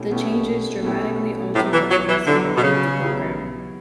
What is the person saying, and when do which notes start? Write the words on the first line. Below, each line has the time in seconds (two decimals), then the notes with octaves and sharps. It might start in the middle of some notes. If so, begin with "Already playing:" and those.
The changes dramatically altered the atmosphere of the program.
Already playing: B2 A3 C#4 E4 G4
0.11 B2 A3 C#4 E4 G4
0.83 B2 A3 C#4 E4 G4
1.55 A2 F#3 B3 E4 G4
1.73 E3
1.91 F#3
2.09 E3
2.27 D3 F#3 B3 E4 G4
2.57 B2
2.63 C#3
2.98 F#3 B3 E4 G4